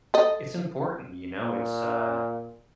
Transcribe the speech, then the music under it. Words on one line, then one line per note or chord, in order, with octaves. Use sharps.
it's important, you know, it's, uh
A4 D#5
A#2